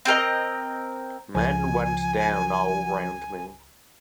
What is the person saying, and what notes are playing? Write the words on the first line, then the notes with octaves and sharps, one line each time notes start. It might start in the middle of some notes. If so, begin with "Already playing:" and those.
Men went down all round me.
C4 A4 A#4 D#5
C#2 F3 G#5